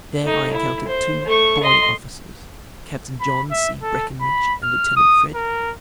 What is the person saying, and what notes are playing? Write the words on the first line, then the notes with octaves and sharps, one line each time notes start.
There I encountered two "boy officers," Captain John C. Breckenridge and Lieutenant Fred.
A3 D#4
E4
C5
A3 C#6
D#5 C6
B5
E5
A4
B5
F6
D#6
A#4